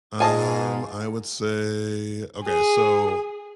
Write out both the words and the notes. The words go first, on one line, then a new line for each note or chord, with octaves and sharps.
Um, I would say, okay, so,
G#2 F4 G#4 D#5 G#5 A5
G#4